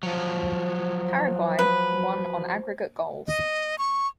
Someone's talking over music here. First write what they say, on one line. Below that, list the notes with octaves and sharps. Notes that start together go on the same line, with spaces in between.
Paraguay won on aggregate goals.
F3 F#3 C5
B4
D#5
C#6